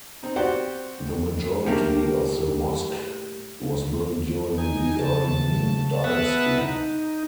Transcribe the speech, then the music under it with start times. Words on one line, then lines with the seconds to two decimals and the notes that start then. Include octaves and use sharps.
The majority of the mosque was built during the early Ming dynasty.
0.23 C4 D#4
0.36 C4 F#4 G4 C5 D5 F#5
1.66 A2 G3 A#3 D4
4.58 D#4 G#5
4.99 C#3 A5
6.04 B3 B4 E5 F#5 A5
6.60 D#4